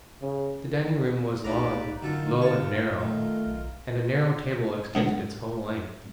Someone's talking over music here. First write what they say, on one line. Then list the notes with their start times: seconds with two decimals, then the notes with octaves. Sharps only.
The dining room was long, low and narrow, and a narrow table extended its whole length.
0.22 C#3
1.44 C2 G2 A#3 D#4 B4 D5 A#5
2.03 F#2 D3 F4 A4 A#4 D5
2.42 C#5 A5
2.67 A#2
3.00 D#3 A3
3.46 B1
4.95 G#2 D3 F#3